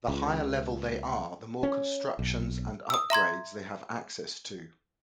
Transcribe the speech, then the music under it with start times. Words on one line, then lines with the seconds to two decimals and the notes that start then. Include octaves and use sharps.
The higher level they are the more constructions and upgrades they have access to.
0.08 C#2
1.63 C#4
2.19 B1
2.90 D#6 E6
3.10 E5 A#5 C6 G#6